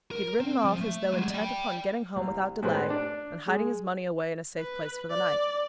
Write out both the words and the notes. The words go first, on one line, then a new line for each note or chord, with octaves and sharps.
He had ridden off as though intent upon getting home without delay, and hiding his money away in a safe place for the night.
A#4
C4
F3
A3
F#3 G#3
D5 G5
C2
A2 G#3 C4 B4 C6
D4 D5
G#3
B4
D5